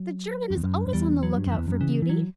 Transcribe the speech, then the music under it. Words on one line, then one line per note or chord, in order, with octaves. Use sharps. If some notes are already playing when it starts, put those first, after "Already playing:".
The German is always on the lookout for beauty.
Already playing: F#3
F#2
E2
F#2
F#2
E2 G3
F#3
G2
F#2 E3
E2
F#2
C#3 E3
E3
F#3